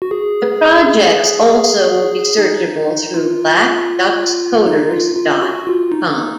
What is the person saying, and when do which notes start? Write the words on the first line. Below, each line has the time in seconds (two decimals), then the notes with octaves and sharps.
The projects also will be searchable through Black Duck's Koders dot com.
0.02 F#4
0.11 G#4
0.87 G#4
2.38 D#4
3.14 F4
4.66 D#4
4.91 F4
5.17 F4
5.42 F#4
5.67 F4
5.92 D#4